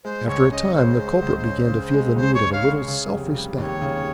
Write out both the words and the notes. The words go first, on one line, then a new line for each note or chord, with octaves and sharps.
After a time the culprit began to feel the need of a little self-respect.
G#3 C5
C#2 C#5
C#4 D#5
C#3 C5
G#3
C#2
C#4
C#3
G#3
C#2 C5
C#5
C#4
F5
C#3
C#3
F1
G3
D#2 C#5 D#5
C#3